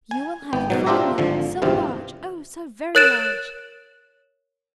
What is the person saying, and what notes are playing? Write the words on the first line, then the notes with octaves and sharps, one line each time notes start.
You will have a farm-yard, so large, oh! so very large!
G#5
G#1 B3 G5
G#2 B2 F#3
D4 F4 G4 C5 E5 A#5
G#1 D3 F3
G#1 E2 G2 C3 C4 F4
A#4 C#5 F#6 A6 D7 E7